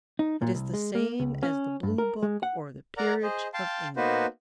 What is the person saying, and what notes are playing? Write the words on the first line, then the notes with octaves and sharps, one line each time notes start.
It is the same as the 'Blue Book' or the 'Peerage' of England.
D#4
A#2
C2
G#3
A#3
C#2
C#4
G2
A#4
G#3
F#5
A#4 D5 F#5 A#5
G#4 C5 D#5
F5 G5 A5 C6
A#3 B3 D#4 F#4 B4 C5